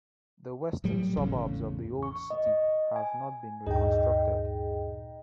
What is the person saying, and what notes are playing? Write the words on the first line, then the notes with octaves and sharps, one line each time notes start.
The western suburbs of the old city have not been reconstructed.
A2 F#3 G3
G#1 E2 A2 C#3
C#6
D#5
G#5
D2 G2 A#2 D#4 G#4 G5